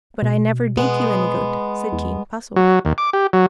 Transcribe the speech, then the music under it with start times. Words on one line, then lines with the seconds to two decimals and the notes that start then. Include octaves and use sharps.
"But I never did you any good," said Jean, puzzled.
0.22 B2
0.77 G#3 B3
1.92 E2
2.56 F#3
2.85 D#2
2.98 D6
3.13 G4
3.33 F#3